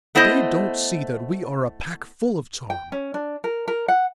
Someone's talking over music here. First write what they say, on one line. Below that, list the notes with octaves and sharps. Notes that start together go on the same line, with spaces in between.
They don't see that we are a pack full of charm.
A3 B3 E4 C5 D#5
G5
C#4
D4
A#4
A#4
F#5